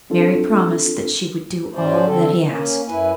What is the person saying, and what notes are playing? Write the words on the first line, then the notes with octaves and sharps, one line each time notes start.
Mary promised that she would do all that he asked.
C4 D4 F4 A4
G#2 F#3 C#4 C5 D5
D3 C4 A4
A#3 C#4
F#2 E4 B4 G#5